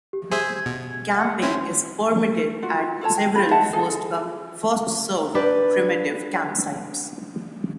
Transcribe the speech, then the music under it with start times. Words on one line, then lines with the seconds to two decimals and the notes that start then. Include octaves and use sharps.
Camping is permitted at several first-come, first-served primitive campsites.
0.13 G4
0.32 G#4 C5 E5 G#6
0.66 B2
1.14 F#5
1.42 C4 C#4 E4 C6
2.62 F4 F#4
3.01 F4 A4 C#5 A5
3.17 G5
3.36 F4 G4 B5
3.51 D#5 E5 F#5 A5
3.73 G#4 A4 G#5
5.35 D4 G4 B4 D5